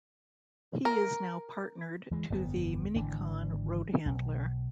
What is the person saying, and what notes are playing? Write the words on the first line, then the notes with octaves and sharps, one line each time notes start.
He is now partnered to the Mini-Con Roadhandler.
A#4
E3 G#3
G1 F2 A2 B3
G#1 D3 E3 D4
B1